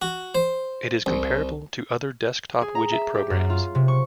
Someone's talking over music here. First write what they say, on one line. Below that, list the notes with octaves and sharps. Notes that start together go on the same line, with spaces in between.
It is comparable to other desktop widget programs.
F#4
C5
C2
G#4
A#5
E5
G4
F#2
F4
C3
C#6